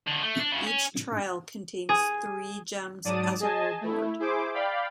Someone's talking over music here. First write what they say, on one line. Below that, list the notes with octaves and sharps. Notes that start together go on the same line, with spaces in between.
Each trial contains three gems as a reward.
D3 D#3
A3
D4
D2 C#3
C#4
G#4
G#2 F#3 D5 A5 D#6 D#7
G#4 D#5 G#5 A5
A3 E4
E4 G#4 C5 D6
D5 F5 G5 B5